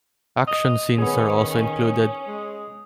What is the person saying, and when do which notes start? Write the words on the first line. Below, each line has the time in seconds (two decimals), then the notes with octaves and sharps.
Action scenes are also included.
0.48 D#5 D#6
0.98 D#3 B3 C#4 G#4
2.27 G#3